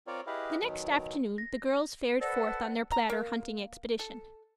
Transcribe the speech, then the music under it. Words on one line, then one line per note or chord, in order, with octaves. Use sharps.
The next afternoon the girls fared forth on their platter hunting expedition.
C4 F4 A#4 C#5 D5
E4 G4 G#4 B4 D#5 F5
B2 D#3 F#3
A#6
A4 B4 C5 D5 F#5 A5 A#6
A#5
A#3
A4